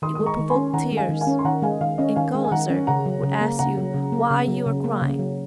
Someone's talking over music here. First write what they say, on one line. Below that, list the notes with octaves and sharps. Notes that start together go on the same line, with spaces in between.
It will provoke tears, and Gulizar will ask you why you are crying.
D#3 C6 D#6
G#3 D#6
A#5 C#6
D#3
G#5 C6
C#4
D#3 F#5 A#5
G#3
F5 G#5
D#3
F5 G#5
C#4
C6
D#3 F#5 A#5
G#3 F5 G#5
D#3 F5
C#4 D#5
D#3 F5 G#5
G#3
G#5
D#3 F#5 A#5
C#4
C#3 F#5 A#5
F#3
C#3
A#3
C#3 F#5 A#5
F#3
C#3
A#3
C#3
F#3
C#3
A#3
C#3
F#3